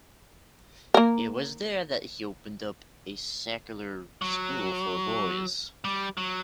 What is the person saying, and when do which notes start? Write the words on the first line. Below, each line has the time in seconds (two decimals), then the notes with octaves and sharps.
It was there that he opened up a secular school for boys.
0.94 A#3 A#4
4.22 F#3
5.84 G3
6.17 F#3